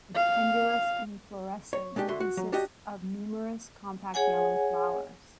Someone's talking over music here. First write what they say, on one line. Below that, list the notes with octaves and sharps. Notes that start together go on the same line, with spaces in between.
The pendulous inflorescence consist of numerous compact yellow flowers.
F5
C#5
G#3 A3 D4 G4
D3 F#4 E5 C6
F#4
F#3
D4 F#4 G4 D#5
G#4 C#5 F#5 G#5